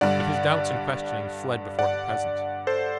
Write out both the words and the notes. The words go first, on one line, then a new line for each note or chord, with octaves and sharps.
But his doubts and questionings fled before her presence.
G2 D3 G3 D5 F#5
D5 F#5
A4 C5